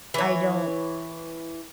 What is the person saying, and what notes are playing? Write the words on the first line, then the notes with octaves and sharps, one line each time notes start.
I don't
E3 C#5